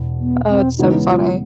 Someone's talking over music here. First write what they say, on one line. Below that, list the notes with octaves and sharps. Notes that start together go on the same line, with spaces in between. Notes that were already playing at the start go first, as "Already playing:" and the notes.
Oh, it's so funny.
Already playing: E1 E2 B2
B3
C4
C#3 E3 G#3 B3 D#4
F4